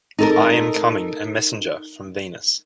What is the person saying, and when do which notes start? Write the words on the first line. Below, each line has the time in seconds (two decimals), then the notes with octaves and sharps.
I am coming, a messenger from Venus...
0.18 D#4 A4 A#4